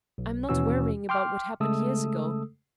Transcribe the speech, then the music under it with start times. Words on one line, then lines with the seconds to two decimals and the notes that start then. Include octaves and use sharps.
I'm not worrying about what happened years ago.
0.18 B1
0.49 D#2 B2 E3 C#4 F#4 E6
1.09 G5 C6 D6 F6
1.60 C#3 G#3 A3 A4 D#6 E6